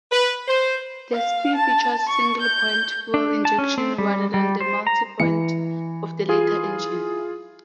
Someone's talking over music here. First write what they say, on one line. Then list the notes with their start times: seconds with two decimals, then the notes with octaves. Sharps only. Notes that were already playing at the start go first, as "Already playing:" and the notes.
The Spi features single-point fuel injection rather than the multi-point of the later engine.
0.11 B4
0.47 C5
1.13 F5
1.55 A5
2.09 C#6
2.41 G6
3.14 D4
3.45 A5
3.58 C#4
3.78 C4
3.98 G3
4.34 G3
4.61 C5
4.87 A#5
5.20 E3 C#7
6.29 F4 G#4